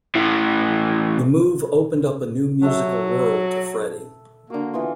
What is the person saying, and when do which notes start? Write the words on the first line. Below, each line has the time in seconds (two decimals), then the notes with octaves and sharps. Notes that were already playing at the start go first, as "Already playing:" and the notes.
The move opened up a new musical world to Freddie.
0.15 A2 E3
2.62 F#3 A4 E5
4.50 D3 A#3 F#4
4.74 E3 B3 F4